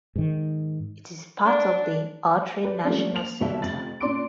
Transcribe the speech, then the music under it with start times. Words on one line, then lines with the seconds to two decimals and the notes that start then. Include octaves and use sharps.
It is part of the Autry National Center.
0.16 G#2 D#3
1.45 D4
2.63 G4 B4 D5
2.85 F3 G3 A3 A#3 C#4 D4
3.12 A#3 F7
3.40 B1 B2 G3 E5 A5
3.61 F1 F2 A6 F#7
4.00 A#2 C#4 D4 C6 D6 D7